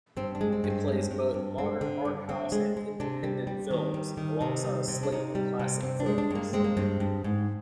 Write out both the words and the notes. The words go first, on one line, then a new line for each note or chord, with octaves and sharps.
It plays both modern art-house and independent films, alongside a slate of classic films.
G2 C4
D4
G#3
C4
G2
C4
G#3
G2
G2
G#3 C4
D3
G2
D3 C4
G#3
G#3
C3 D4
G3
G3
D#3
G3
D#3
C3 D#4
G3
C3
D4
C3 D#4
G3
C3
G2 C4
D4
G#3
D4
G2 A#3
G#3 C4
A#3
G2 C4
G2
G#2